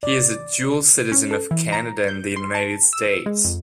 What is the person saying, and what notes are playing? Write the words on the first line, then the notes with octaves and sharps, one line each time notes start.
He is a dual citizen of Canada and the United States.
D5
C#4
A4
E3
A#5
G6
C6
A5
E6
G#3
F2